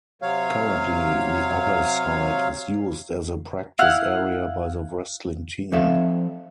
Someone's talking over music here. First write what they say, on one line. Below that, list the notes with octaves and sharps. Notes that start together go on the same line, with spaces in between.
Currently the other side is used as a practice area by the wrestling team.
C3 F#3 C#5 F5
E4 F5 F#5 F6
F3 C4 A4 D5 E5 F5